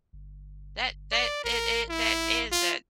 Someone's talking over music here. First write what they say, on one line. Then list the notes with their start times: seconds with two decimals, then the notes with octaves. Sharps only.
That that it it that is that
0.13 G1
1.12 D5
1.44 A1 A#4
1.89 E4
2.52 F4